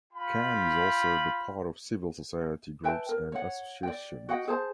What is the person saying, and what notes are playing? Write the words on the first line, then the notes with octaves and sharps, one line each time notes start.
Khan is also the part of civil society groups and associations.
F4 G5 B5
B4 E5 G5 A5
A#4
C#5 F#5
D5 G5
F#4 D#5 F#5 G5
G#4 C5 A5